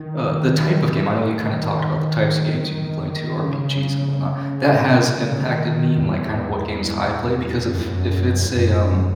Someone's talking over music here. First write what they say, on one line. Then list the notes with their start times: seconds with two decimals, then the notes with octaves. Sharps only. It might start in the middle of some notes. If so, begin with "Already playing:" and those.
uh, the type of game, I know you, kinda, talked about the types of games you've been playing too, RPGs and whatnot- that has impacted me in, like, kinda, what games I play because if if it's a, um
Already playing: D#3
0.88 E3
1.31 D#3
3.43 C#3
5.13 C#3
5.41 D#3
5.68 D#3
5.98 E2
7.67 F#2
7.77 E2
7.88 F#2
8.09 F#2
8.41 E2
8.51 F#2
8.80 F#2